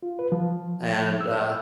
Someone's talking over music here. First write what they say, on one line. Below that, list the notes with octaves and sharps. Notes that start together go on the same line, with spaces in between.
And, uh
F4
B4
F3
E6